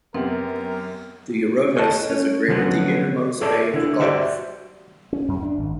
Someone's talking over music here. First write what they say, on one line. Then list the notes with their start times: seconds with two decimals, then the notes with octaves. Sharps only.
The Eurotas has aggraded the innermost bay of the gulf.
0.15 F#2 B3 C4 G4 A#4
1.76 G#4 C#5 D#5 E5 A5
2.10 C#4 C#5
2.48 D3 F3 F#3 G#3 B3 C#4
3.41 G#4 A4 C#5 D5 E5 A5
3.74 D3 E4
4.00 F#4 G4 C5 D5 E5 F#5
5.13 C#4
5.28 F#2
5.43 D4
5.57 G#1